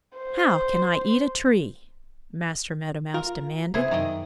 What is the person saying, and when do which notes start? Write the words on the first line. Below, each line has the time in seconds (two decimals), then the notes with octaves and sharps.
"How can I eat a tree?" Master Meadow Mouse demanded.
0.17 C5
3.14 F4 A#4
3.74 C3 B3 E4 G#4 C5
3.91 F#2 D#3 D5 D#5